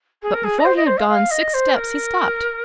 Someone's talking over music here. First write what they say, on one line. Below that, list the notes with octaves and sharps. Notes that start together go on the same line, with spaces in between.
But before he had gone six steps he stopped.
G#4
A#4
G#4
D#5
C5
D#5
C5
F5
F5
D#5
C5
A#4